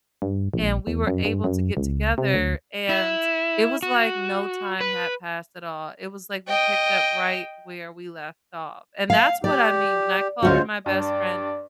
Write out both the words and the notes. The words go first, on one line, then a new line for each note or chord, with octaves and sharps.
and we were able to get together. And it was like no time had passed at all, it was, like, we picked up right where we left off. And that's what I mean when I call her my best friend.
G2
A#1
E2
F#2
G2
F#2
C#2
C3
D2
E4
F#4
B4
D#5 G5
F5
G4 D5
D2 G#3 C#4 F4 F#4 C5
G2 D5